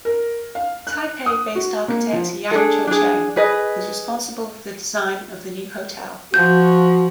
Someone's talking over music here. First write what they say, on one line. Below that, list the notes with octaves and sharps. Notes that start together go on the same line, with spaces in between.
Taipei-based architect Yang Cho-Cheng was responsible for the design of the new hotel.
A#4
F5
F#6
D#6
F#4
A#3
F3
D4 G#4 A4
D4 G#4
G#4 B4 D#5
F3 F#4 G6